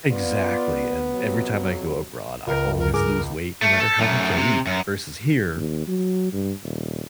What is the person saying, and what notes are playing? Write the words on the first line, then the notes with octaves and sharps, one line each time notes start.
Exactly, and every time I go abroad, I always lose weight no matter how much I eat versus here,
B3 F4 D5
F2 C3 F#3
C#2 A#4
D2 A#4
G2 G#4 A#4 D6
A3
A4
F#2 A3
C3
F#2
D#2
F#3
G2
D#1